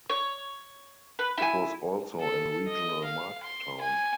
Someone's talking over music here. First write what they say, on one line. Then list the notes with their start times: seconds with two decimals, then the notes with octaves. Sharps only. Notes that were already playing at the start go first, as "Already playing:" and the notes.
It was also an regional market town.
0.10 C#5
1.19 B4
1.38 E4 G#5
2.20 A4
2.68 D#5
3.04 F5
3.43 C6
3.81 G#5